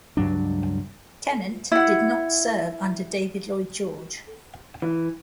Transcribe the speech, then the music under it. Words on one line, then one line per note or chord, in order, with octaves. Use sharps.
Tennant did not serve under David Lloyd George.
C#2 G2 F#3 D4
E4 F#5
E3